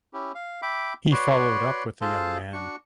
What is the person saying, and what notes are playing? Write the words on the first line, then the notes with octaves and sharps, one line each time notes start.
He followed up with the young man.
C#4 E4 G4
F5
E5 G5 B5 D6
F#4 B4 C#5 D5 C6
F4 G#4 A4 C5 F5 A5
D4 F#4 C#6